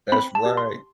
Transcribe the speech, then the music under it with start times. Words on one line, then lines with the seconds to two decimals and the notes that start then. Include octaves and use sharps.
that's right.
0.12 C4 B5
0.35 A5
0.46 G4
0.57 C6